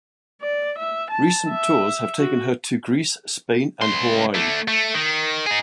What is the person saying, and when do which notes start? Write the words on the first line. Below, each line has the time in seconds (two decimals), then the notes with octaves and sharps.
Recent tours have taken her to Greece, Spain and Hawaii.
0.41 D5
0.78 E5
1.11 A5
1.50 E5
2.18 F#4
3.82 C#2 C6
4.35 D3 A3
4.68 A3
4.94 D#3
5.46 D#4 G#4